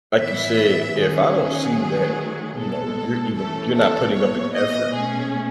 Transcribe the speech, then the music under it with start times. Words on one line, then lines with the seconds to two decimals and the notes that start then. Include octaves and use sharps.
like you said, if I don't see that, you know, you're even you're not putting up an effort
0.19 A2 E3 B3 E5
0.99 D#3 F#3 C#4 G#4
1.78 D#3 F#3 A3
2.57 B2 G#3 B3 A4
3.36 E3 A3 C#4 A4
3.75 A4
4.15 A2 E3 B3 C#5
4.54 D#5
4.94 B2 A3 C#4 G#4